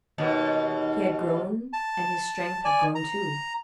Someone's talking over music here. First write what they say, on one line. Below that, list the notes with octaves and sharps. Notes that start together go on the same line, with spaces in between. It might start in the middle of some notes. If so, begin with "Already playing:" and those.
He had grown and his strength had grown too.
D#2 B2
A5
D5 G#5
A#5